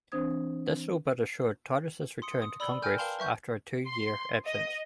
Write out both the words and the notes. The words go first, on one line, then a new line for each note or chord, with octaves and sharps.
This all but assured Titus' return to Congress after a two-year absence.
E3 C4 D4 C5 D#6 G#6
C6 D#6 C#7
D#6
D5 B5 E6 F#7 G7
G5 G#5 F6 G6
A#4 B4 F5 G5 A5 C6
B4 E5 C#6 G6
C6
D#5